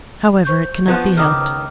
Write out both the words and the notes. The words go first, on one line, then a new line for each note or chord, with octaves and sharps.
However, it cannot be helped.
C5 C#6 G6
F3 B3
C#2 D#3 D6 D#6 F6